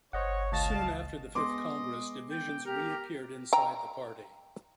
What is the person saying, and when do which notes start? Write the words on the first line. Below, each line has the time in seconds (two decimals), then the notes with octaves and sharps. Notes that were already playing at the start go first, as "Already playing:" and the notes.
Soon after the fifth congress, divisions reappeared inside the party.
0.13 G1 C5 C#5 D#5 F#5
0.52 C#2 D#5 F5 A5 A6
1.35 G#3 B3 D#5 C6 D6
2.30 G5
2.65 G4 A#4
3.53 G5 A#5